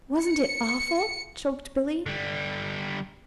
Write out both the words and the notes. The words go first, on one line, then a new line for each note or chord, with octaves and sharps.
"Wasn't it awful!" choked Billy.
C#7
D3 G3